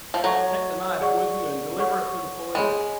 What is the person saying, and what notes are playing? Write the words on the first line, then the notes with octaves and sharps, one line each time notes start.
"Take the knife with you, and deliver it to the police."
F3
F#3 A4 C#5 F#5 C#6
G#4 D5 F#5 C#6
A4 C#5 F#5 C#6
G#3 G#4 C#5 G#5 B5